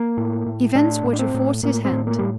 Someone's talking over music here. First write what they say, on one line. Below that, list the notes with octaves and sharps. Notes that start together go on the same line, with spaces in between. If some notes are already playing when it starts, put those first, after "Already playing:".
Events were to force his hand.
Already playing: A#3
A2
A2
A2 D4
A2
D4
C4
A2
A2 A#3
C4
A2
A#3
A2 G3